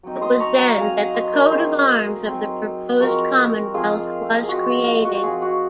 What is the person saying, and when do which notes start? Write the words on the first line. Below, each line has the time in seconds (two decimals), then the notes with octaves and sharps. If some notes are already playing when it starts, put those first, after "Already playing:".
It was then that the coat of arms of the proposed Commonwealth was created.
0.03 F#3 C4 D#4
0.21 C6 D#6
0.40 A#5 C#6
0.58 F#5 A#5
0.78 F#3 C4 D#4 F5 G#5
0.96 D#5 F#5
1.14 C5 D#5
1.33 A#4 C#5
1.51 F#3 C4 D#4 G#4 C5
2.26 F#3 C4 D#4
3.00 F3 G#3 C4 F#4 A#4
3.74 F3 G#3 C4 F4 G#4
4.43 G#4
4.48 F3 G#3 C4 F#4
4.67 F#4
4.86 F4
5.05 F#4
5.23 F3 G#3 C4 F4 G#4
5.42 F#4